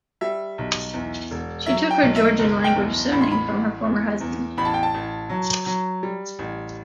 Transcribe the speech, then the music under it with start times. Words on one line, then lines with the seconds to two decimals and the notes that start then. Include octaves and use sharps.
She took her Georgian-language surname from her former husband.
0.21 G3 E5
0.58 B1
0.94 E2
1.31 E1
1.66 F#3 E5
1.90 G5
2.03 B1
2.16 E5
2.39 F#1
2.64 G5
2.75 E2
3.12 A1 B5
3.21 C6
3.32 B5
3.48 A1
3.85 E2
4.21 E2
4.58 A1 B5
4.65 A5
4.74 G5
4.83 A5
4.94 A1
5.29 F#3
5.66 F#3
6.03 G3
6.39 A1